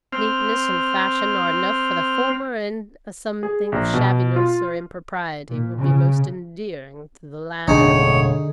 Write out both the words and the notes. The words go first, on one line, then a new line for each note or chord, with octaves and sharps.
Neatness and fashion are enough for the former, and a something of shabbiness or impropriety will be most endearing to the latter.
C4 F6
G#4
A#1
B2
F4
A#2
C#3
E1 A1 F#2 D3 D#4 G#4 C#5